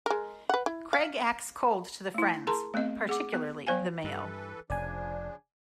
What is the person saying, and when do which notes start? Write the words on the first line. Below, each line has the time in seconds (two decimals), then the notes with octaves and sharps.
Craig acts cold to the friends, particularly the male.
0.06 G#3 A#4
0.49 B4 F#5
0.66 E4
0.93 F5
2.14 A3 E4
2.47 G#4 A#4 A5 A#5 C6
2.74 A3 B3 C4 D#5 F5
3.09 G#4 F#5 D6
3.34 B3
3.67 F#3 B3 C5 F5 G5 G#5
4.04 G2 E3 A4 B4
4.70 F1 C#3 F3 D4 D5 G#5